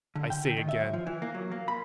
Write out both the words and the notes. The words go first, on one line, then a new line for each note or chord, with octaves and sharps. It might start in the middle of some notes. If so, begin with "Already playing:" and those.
I say again.
D3
G5
D3
D#3
E5
F#2
F3
E3
A#3
F#3
A#3
B5